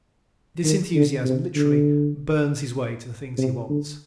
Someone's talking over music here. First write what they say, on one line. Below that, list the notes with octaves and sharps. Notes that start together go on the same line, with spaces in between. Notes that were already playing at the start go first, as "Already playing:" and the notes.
This enthusiasm literally burns his way to the things he wants.
D#3
D3
C3
D3
C3
D3